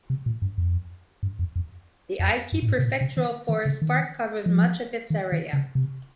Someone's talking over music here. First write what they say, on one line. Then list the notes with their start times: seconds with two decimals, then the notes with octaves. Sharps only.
The Aichi Prefectural Forest Park covers much of its area.
0.10 C3
0.26 A#2
0.42 G2
0.58 F2
1.23 G2
1.39 F2
1.56 F2
2.19 F2
2.52 G2
2.62 A#2
2.68 G#2
2.79 C3
2.85 A#2
3.01 C3
3.17 D#3
3.49 D#3
3.65 C#3
3.82 D#3
4.46 F3
5.10 D#3
5.32 D#3
5.53 C#3
5.75 C3